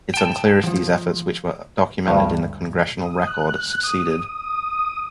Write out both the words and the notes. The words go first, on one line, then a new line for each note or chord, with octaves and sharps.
It's unclear if these efforts, which were documented in the "Congressional Record", succeeded.
G5 A5
F3
D2 G2
D#6
F#6
D#6